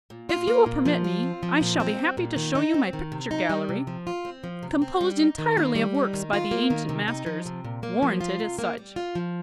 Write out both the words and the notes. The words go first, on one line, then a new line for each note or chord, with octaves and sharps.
If you will permit me, I shall be happy to show you my picture gallery, composed entirely of works by the ancient masters--warranted as such.
A#2
F4
A#3
A#2
F3
F4
C4
F3
A#2
C4
G3
A#2
D#3
D#4
C4
D#3
C3
D#4
G3
C3
F3
F4
C4
F3
C3
C4
G3
D#4
D#3
A#3
G3
D#4
D#3
F4
A#3
D#3
C3
D#4
F3
C3
A#2
A#3
F3
F4
C3
A#3
G3
F4
F3